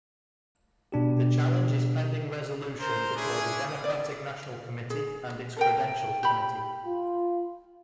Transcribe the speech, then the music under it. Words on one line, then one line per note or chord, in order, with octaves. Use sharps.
The challenge is pending resolution before the Democratic National Committee and its Credentials Committee.
B2 D4 G4
A#4 C5
C#4 D4 E4 G#4
D5
G#4
A4 A#4 G5
G4 B5
F4